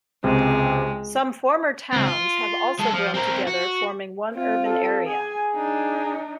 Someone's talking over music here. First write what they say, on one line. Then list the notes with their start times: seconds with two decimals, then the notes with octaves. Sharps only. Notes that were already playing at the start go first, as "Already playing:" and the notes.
Some former towns have also grown together, forming one urban area.
0.24 C#2 C3 G#3
1.93 C#2 C4
2.06 F4
2.79 G#3 A4
2.93 F3
3.14 C4 A#4
3.47 F#4
4.31 C4 F4
4.65 A4
5.06 G#4 G#5
5.55 D4 D#4